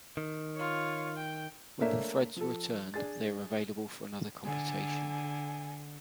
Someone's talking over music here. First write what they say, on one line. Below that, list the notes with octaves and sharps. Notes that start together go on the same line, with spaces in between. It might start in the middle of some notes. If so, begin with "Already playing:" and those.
When the threads are returned, they are available for another computation.
D#3
F4 C#5
G5
A3 A#3 D4 A#4 C#5 E5
F3 A4
D4 G#4 A6
D3 G#5